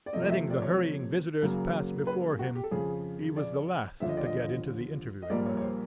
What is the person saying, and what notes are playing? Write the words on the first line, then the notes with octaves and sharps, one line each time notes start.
Letting the hurrying visitors pass before him, he was the last to get into the interviewing-room.
D5
F2 C3 F3 A3 C4 D#5
D#5
E5
D5
C#5
F#2 C#3 F#3 A#3
B4
F#4
G4
A4
F2 C#3 F3 G#4
D5
D#2 D3 F3 E5
D#5
D5
D#5
D#5
A#1 A#2 G3 A#3 D5
C#5
C#5
C5